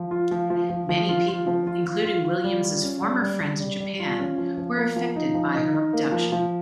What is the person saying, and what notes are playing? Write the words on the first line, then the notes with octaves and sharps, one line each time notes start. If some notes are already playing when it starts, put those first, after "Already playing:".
Many people, including Williams' former friends in Japan, were affected by her abduction.
Already playing: F3
F4
F3
F3
F3
F3
F4
F4
F3
F4
F4
F4
F4
G3
F4
C#4
G3
G3
G3
G3
G3
F4
C#4
F3
F3
A#3
F3
D#4
F3
D#4
D#4
A#3
F3
F3